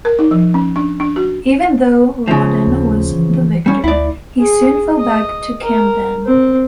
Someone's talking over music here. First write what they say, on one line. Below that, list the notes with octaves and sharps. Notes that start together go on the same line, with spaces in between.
Even though Rawdon was the victor, he soon fell back to Camden.
A#4
D#4
F3
C#4
D4
D4
F#4
C#3 F3
D#2
E3
G3 C#4
D2 E4 D5
G#4
D#5
A#4
C4